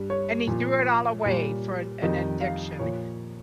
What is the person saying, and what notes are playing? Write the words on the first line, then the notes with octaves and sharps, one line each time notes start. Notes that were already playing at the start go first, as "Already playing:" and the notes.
And he threw it all away for an an addiction.
Already playing: G2 G3
C#5
A#2 F3
A#2 G3
F2 D#3 G3 D#5
F5
A#2 F3 C#5